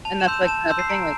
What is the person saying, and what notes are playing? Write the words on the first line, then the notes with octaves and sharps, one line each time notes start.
And that's, like, another thing, like,
A5 F7
E7
C6 E6 G6
E7
A5 E7
C6 E6 G6
C7
A#5 D7